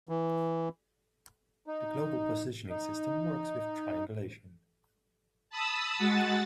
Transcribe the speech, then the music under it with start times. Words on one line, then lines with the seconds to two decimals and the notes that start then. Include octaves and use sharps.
The global positioning system works with triangulation.
0.09 E3
1.66 D#4
2.70 D#4
5.50 A5 B5 D#6 E6
5.97 G#3 F#4 F#5 A6